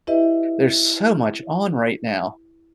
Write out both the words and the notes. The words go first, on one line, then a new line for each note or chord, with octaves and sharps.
there's so much on right now
E4 F#4 G4 B4 D#5 E5